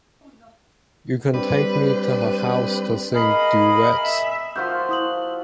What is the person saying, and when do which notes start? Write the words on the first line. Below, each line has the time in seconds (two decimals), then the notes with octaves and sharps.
You can take me to her house to sing duets.
1.34 G3 C4 D4 B4
3.14 G#4 A#4 D#5 F5 B5
4.03 E5
4.56 F3 F#4 C5 F5 C6 E6 G6
4.89 E4 D#6 F#7